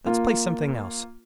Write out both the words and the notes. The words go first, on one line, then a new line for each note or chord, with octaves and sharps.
Let's play something else.
A#3 F4